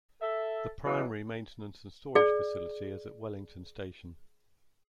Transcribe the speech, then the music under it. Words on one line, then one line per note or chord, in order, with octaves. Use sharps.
The primary maintenance and storage facility is at Wellington Station.
A4 E5
B2 E3 F#3 G#3
G#4 D5